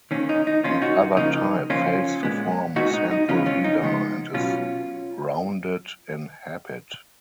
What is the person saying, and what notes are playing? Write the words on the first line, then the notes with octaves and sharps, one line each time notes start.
The other type fails to form a central leader and is rounded in habit.
D#3 A#3 C#4
D#4
D#4
D#3 A#3 C#4 F4
D#4 F#4
C#3 F3 A#3 D#4
C#3 F3 A#3 C#4 F4
A#2 G#3 B3
A#2 G#3 B3 D#4 F#4
D#4
D#4
C#3 F3 G#3 B3 C#4 F4
C#4 F4
D#4
C#3 F3 G#3 B3
B2 F#3 B3 C#4 F4